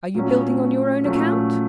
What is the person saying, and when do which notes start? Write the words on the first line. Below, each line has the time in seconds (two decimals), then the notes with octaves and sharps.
'Are you building on your own account?
0.14 A#2 F#3 A3 C#4
1.03 A#2 F#3 A3 C#4